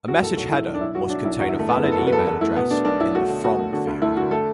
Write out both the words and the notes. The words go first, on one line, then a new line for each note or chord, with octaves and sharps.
A message header must contain a valid email address in the From field.
E1 F#4
A2 A4
B1 F#4
B1 E4
B1
D4
B1 E4
F#3 F#4
B1 D4
B1 E4
E2 F#4
E4
D3
A3
F#1 B3
F#1 E4
A4
E2 F#4
B4
E2 A4
E2 A4
A3 E4
B2 B3
A3 D4
B1 D4
B1 E4
A3 F#4
D3
A3 F#4
A3
D3 F#4
D2
A3 E4
D3 F#4
A3 A4